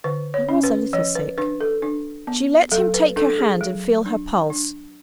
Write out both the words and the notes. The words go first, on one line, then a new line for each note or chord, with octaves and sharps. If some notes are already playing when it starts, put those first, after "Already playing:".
I was a little sick.' She let him take her hand and feel her pulse.
D3 B4
C#5
C#4
B4
F3 C#5
B4
D4 B4
A4
D4
B3
F#3 A4
B4
D4 A4
G#4
F#3
D4
D4